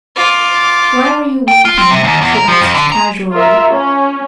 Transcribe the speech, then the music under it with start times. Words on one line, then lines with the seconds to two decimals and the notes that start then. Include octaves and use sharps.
"Why are you weeping?" she asked casually.
0.16 F4 D6
1.48 G5
1.65 F4
1.78 C4
1.90 C3
2.04 D#2
2.22 E2
2.34 A#4
2.48 F3
2.61 F2
2.74 D3
2.92 A#5
3.32 F4 A#4 E5
3.70 C#4